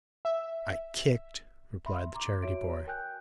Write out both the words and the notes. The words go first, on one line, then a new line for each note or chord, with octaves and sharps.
'I kicked,' replied the charity-boy.
E5
E5 B5 C6
A#5 C6 D6
F#4 C#5 E5 D7
A#4 G5 G#5 F#6 G6